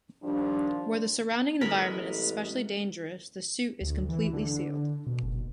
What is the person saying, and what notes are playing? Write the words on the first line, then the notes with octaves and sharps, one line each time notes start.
Where the surrounding environment is especially dangerous the suit is completely sealed.
D#3 F3 G3 D4
A1 G#3 B3 A#4 B5
D2
E3
D3
B2
F#1